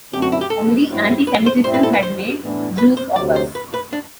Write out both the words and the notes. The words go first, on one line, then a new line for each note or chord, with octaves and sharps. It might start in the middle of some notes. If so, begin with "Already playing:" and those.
Only anti-Semitism had made Jews of us.
F#2 D3 A3 C4 G4
F#4
E4
G4
A4
G2 F#3 C4 E4
B4
C5
A2 G3 C4 E4 C5
B4
A4
B4
C5
A2 E3 B3 D4
B4
C5
D2 C3 F#3 D5
C5
B4
B4
D4